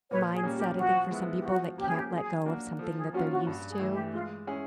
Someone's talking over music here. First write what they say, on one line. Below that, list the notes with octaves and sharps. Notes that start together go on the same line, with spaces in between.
mindset, I think for some people that can't let go of something that they're used to,
A#2 B4 C#5
G#4
G3 A#3 C#4
G4
F3 F#4
G#3 B3 E4
G4
F3 F#4
A#3 C#4 G4
G#4
G4
F#3 G#4
A#3 D4 F#4
F3 A4
G#4
A#3 C#4 F4 F#4
F#4
G2
G#4
E3 A3
G4
G#3 F4
C#4 E4 G#4